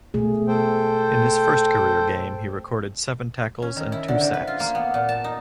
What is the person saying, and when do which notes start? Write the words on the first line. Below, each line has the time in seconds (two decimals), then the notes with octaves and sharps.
In his first career game he recorded seven tackles and two sacks.
0.14 B2 A3 G#4
0.48 A4 C5 G5
3.62 C#4
3.76 D#3
3.92 E4
4.08 D3
4.21 C3
4.34 B4
4.47 F4
4.60 A#3
4.75 B3
4.94 A#2
5.09 A5
5.24 D#4